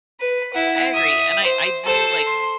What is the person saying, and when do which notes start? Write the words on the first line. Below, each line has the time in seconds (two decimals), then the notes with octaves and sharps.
I agree, and I I do, like
0.20 B4
0.53 E4 F#5
0.94 E5 D#6
1.44 C5
1.84 A4 C5
2.27 C6